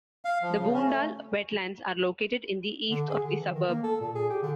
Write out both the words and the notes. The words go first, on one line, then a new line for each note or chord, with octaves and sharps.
The Boondall Wetlands are located in the east of the suburb.
F5
F3
C#3
C#4
A3
D3
G#4
D3
E3
D#3
A#3
A4
A#2
G#4
G4
D3